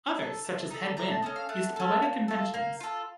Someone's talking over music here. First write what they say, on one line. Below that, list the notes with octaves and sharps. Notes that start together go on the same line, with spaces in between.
Others, such as Hedd Wyn, used poetic inventions.
D#4 A4
A3
D#4 A4
A3 A#5
A5
C#4 A4 D#5
F5
A3 F#5
C#4 A4
A#3
F4 A4
A#3 F5
F4 A4